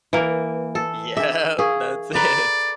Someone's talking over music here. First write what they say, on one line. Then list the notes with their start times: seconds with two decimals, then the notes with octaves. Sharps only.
Yep, that's it.
0.13 E3 A#3 B4
0.75 A4
1.17 D4 G#4 E5
1.59 G#4 A#4 F5 C#6
2.15 A4 B4 D5 A#5